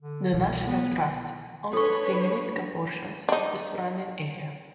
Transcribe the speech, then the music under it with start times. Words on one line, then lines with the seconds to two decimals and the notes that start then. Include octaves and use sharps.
The National Trust owns significant portions of the surrounding area.
0.02 D3
0.31 C2 B2 E3
0.67 B3
1.73 D4 A4 B4 C#5 C#6
3.29 D4 D#4